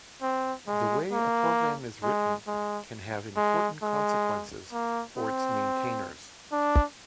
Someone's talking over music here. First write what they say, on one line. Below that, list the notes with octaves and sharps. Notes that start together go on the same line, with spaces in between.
The way a program is written can have important consequences for its maintainers.
C4
G#3
A#3
G#3
G#3
G#3
G#3
A#3
C4
D4